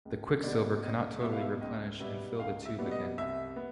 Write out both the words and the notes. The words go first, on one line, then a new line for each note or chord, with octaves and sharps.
The quicksilver cannot totally replenish and fill the tube again.
C#2
B2 G3 B3 D5
C#2 D#5
B2 G3 B3 E5
F5
E5
C#2 D#5
B2 G3 B3 E5
C#2 F5
E5
B2 G3 B3
D#5
C2 E5
B3